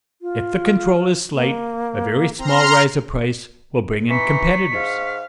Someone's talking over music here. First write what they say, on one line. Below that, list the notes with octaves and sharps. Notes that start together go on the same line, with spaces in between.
If the control is slight, a very small rise of price will bring in competitors.
F4
A#3
C4 A#5 C6 F6
E3 D#4 C#6 B6
G#2 F5